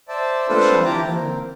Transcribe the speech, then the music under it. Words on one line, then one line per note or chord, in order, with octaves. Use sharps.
"It shall be done!"
C5 D5 E5 A5
C4 D4 F4 A4 B4 C5
E4 G4 G5 A5 A#5 D6
A#3 C4